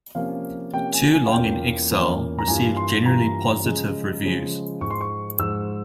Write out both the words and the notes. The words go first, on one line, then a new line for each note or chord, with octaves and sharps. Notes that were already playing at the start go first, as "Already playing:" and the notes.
"Too Long in Exile" received generally positive reviews.
C3 F3 A#3 C#4 F5
C3 F3 A#3 C#4 G5
G#5
G#5
F5
E2 E3 A#3 C#4 F4 G5
E2 E3 A#3 C#4 F4
A#5
G2 E3 A#3 F4 G#5
C6
G2 E3 A#3 F4 A#5
C#3 F3 G#3
C#3 F3 G#3
G#2 F3 G#3 C#6
C6
C#6
G#2 F3 G#3 E6